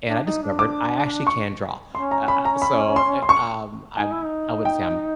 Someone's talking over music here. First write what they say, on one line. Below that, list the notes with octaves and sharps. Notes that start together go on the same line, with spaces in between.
and I discovered I actually can draw, uh, ah, so, eh, um, I I wouldn't say I'm,
D4
D#4
D4
D6
C#6
C#4 C6
A#5
B5
A#5
B5
C6
C6
C#6
D#4 G#5
E4
D#4
G5